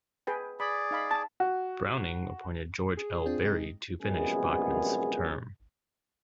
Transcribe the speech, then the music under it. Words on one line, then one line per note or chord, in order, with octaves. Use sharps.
Browning appointed George L. Berry to finish Bachman's term.
G#4 B4 G5
G#4 D5 B5
D#4 F5 B5
A5
F#4
G#4
C4 D4 F4
C3 G#3 D#4
A#1 F#2 C3 G#3 B3 G#4